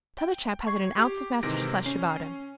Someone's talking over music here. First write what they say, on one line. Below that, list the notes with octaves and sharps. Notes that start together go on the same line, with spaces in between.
T'other chap hasn't an ounce of measter's flesh about him.
G5
C#6 G#6 C7
G4
G#2 C3 D#3 E3 A#6 D7
C#4 C7